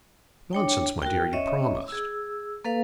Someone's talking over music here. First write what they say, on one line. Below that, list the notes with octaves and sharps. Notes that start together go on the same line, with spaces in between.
"Nonsense, my dear; you promised."
D4 C#5 G5
F#4 A#4 G5
C#4 C#5 D#5 E5
G#4 E6
A#3 A4 B4 F5